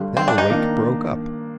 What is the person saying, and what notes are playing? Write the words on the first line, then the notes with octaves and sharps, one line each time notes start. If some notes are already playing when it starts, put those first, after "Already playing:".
Then the wake broke up.
Already playing: G2 D3 G3
C4
D4
D#4
D#3 A#3 D4